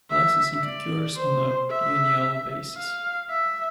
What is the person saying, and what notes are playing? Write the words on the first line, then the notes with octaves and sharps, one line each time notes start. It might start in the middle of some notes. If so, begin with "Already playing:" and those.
Licensing occurs on a biennial basis.
E5
D5
C5
E5
F5
E5